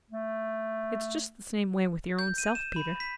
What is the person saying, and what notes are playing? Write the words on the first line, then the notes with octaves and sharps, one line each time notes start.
It's just the same way with your own self, Peter.
A3
G6
D#7
E7
B5
B6